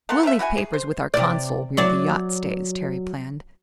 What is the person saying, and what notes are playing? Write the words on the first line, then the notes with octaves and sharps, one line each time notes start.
"We'll leave papers with our consul where the yacht stays," Terry planned.
A3 A#3 F#5 C6
C#3 F3 D#4 E5
E4 F#4 F#5 G#5
G#4
C5
C3 D5
F#3 D5